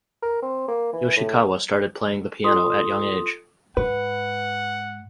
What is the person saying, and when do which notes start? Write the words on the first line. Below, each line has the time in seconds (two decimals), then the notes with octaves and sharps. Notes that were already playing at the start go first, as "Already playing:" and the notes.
Yoshikawa started playing the piano at young age.
0.23 A#4
0.42 C4
0.68 A#3
0.93 E3
1.17 A2
2.44 F4 A4 C6 D#6
3.77 G#2 B4 F#5